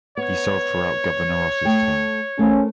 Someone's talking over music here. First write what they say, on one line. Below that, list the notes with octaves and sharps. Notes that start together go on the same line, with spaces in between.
He served throughout Governor Ross's term.
B3 C#5
A3 G5
A3 C#4 A#4 C5